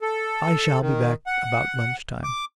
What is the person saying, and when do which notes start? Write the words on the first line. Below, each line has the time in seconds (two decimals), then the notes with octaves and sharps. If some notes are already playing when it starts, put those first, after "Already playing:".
I shall be back about lunch time.'
0.01 A4
0.80 D#3
1.27 F#5
2.23 D6